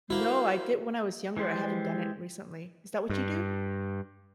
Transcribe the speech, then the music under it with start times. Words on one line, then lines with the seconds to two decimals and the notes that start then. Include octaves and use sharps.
No, I did when I was younger, I haven't done it recently. Is that what you do?
0.10 A#3 E4 F#4 A#4 C5
1.37 E3 G#3 G4 C5 D5
3.09 G2